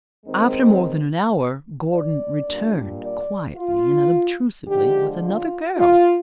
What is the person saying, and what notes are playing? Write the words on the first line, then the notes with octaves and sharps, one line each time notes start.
After more than an hour Gordon returned, quietly and unobtrusively, with another girl.
D#2 D#3 G#3 C4
D5
A#2 G3 A#3 D4
D5
F4
D3 F3 G#3 G4
F4
F4